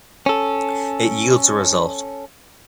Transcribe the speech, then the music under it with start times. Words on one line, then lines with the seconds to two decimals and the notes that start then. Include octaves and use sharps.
It yields a result.
0.26 C#4 A4